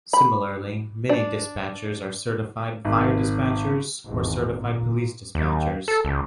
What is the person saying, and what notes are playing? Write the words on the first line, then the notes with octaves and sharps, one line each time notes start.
Similarly, many dispatchers are Certified Fire Dispatchers or Certified Police Dispatchers.
B5
D4
G#1
G#1 E2
A#2
D#2
A4
C#2